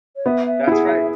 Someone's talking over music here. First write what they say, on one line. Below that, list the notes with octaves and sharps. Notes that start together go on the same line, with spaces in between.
That's right.
C#5
B3 E5
E5
E4 G#4 F#5
E5